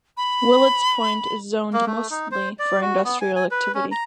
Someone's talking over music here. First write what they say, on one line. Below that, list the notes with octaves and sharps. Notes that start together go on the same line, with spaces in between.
Willets Point is zoned mostly for industrial activity.
B5
A#3
A3
D#4
C5
D5
F#4
B3
G#5
G#5
B4
C#4
A#5